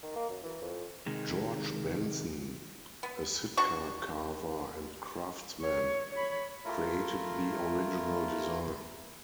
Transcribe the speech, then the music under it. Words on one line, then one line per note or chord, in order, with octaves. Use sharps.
George Benson, a Sitka carver and craftsman, created the original design.
D#3
A#3
F#2
E3
F2
C3 D#3 G#3
B3
D4 F#4 C#6
C#5
C#5 B5
A3 E4 F4 A#4